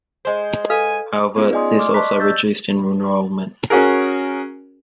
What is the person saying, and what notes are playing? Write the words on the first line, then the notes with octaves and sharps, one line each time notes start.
However, this also reduced enrollment.
G#3 C5
A4 B4 F5 G#5
B3 C#4 D#4 F4 G#4
D5 D#5 G#5 C6 D#6
C6 D6 F6
D5 D#5 A5 C#6 F#6 B6
E6 G6 A6
C#4 F#4 G#4 A#4